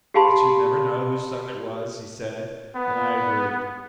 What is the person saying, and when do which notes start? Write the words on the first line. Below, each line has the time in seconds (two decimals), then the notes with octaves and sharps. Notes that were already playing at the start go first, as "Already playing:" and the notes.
It should never know whose son it was, he said, and I agreed.
0.14 G4 G#4 F5 A5 B5 C6
2.75 B3